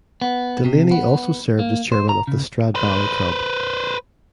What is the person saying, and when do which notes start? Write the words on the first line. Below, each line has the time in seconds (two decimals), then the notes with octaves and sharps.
Delaney also served as chairman of the Stradbally club.
0.22 B3
0.65 C3
0.91 B3
1.59 A#3
1.92 C5
2.09 A#5
2.27 C#3
2.75 B4 C5